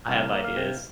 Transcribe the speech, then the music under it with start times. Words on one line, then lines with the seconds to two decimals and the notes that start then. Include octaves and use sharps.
I have ideas.
0.08 C2 F5
0.32 A#3
0.44 F5
0.57 C3